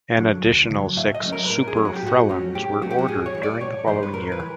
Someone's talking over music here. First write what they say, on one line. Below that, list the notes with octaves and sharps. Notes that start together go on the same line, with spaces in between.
An additional six Super Frelons were ordered during the following year.
D3 F#3
D2
D3 F#3
A2 E5
D#5
F#3 A3 C#4
A#4
B4
A2 A#4
G#4
F#3 A3 C#4
F#4
G4
A2 F#4
F#3 A3 C#4
A2 G4
F#3 A3 C#4 F#4
G4
F#4
A2 G#4
C#5
E3 G3
D5
A2 C#5
E3 G3 C5
B4
A2 A#4
B4
E3